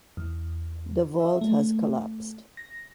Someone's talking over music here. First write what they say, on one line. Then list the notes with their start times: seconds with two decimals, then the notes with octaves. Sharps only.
The vault has collapsed.
0.17 E2
1.20 E5
1.41 A3
2.57 A#6